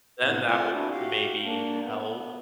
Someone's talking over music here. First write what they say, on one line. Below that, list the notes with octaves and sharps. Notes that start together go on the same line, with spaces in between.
then that would maybe help
A2 C3 B3 F#5
A3 C4 F4 D5 F#5 G#5
D4 E4 F#4
F#4 G4 F5
A#3 D4
B3